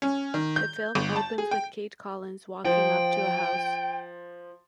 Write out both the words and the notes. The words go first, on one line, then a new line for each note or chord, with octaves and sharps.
The film opens with Kate Collins walking up to a house.
C#4
D#3
G6
G1
A5
G#4
G5
F3 G5